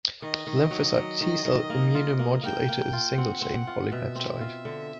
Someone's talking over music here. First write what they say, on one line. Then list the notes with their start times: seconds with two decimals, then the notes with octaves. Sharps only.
Lymphocyte T-Cell Immunomodulator is a single chain polypeptide.
0.22 D#3 D#5
0.47 D#3
0.71 F#3
0.96 F#3
1.21 D#3
1.45 D#3
1.70 A#3
1.95 F4
2.19 A#3
2.43 A#3 G5
2.69 A#3
2.93 F4
3.18 C4 F#5
3.42 C4
3.67 F4
3.91 B2 E5
4.15 C4
4.41 F4
4.65 D3